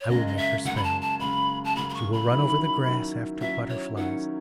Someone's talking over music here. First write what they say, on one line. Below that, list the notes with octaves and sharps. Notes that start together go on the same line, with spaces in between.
I will make her spell. She will run over the grass after butterflies.
C#5
F#2 C#3 G#3 D#5
D#5
E5
F#2 C#3 G#3 F#5
B5
A5
A5
F#2 C#3 G#3 B5
A5
F#2 C#3 G#3 B5
B5
C#6
B5
D#3 F#3 C#4 E4
D#3 F#3 C#4 E4
D#3 F#3 C#4 E4 E5
C#5
D#3 F#3 C#4 E4 F#5